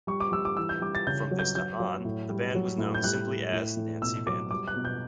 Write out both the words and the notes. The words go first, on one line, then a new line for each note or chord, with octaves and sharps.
From this time on, the band was known simply as Nancy Vandal.
G3 C#6
D6
G3 E6
D6
E3 E6
G6
G3 D6
A6
C#3 G6
F#3
G6
F#3 G6
F#3
A2
G3
F#3
A2
G6
G3 F#6
A2
A2
A2
B2 E6
F#3 D6
G3 D6
F#6
B2
G6